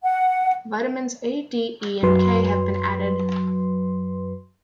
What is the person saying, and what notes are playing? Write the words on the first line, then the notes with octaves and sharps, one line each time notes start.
Vitamins A, D, E, and K have been added.
F#5
F#2 F#3 B4 C6